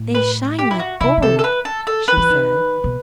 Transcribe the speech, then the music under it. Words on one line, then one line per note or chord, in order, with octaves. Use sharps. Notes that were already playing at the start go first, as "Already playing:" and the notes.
"They shine like gold," she said.
Already playing: A2
B4
G4
E4
F#4
C3 E4
D#3
C3 A4
A4
B4
A4
A4
B4
E3
D#3
B2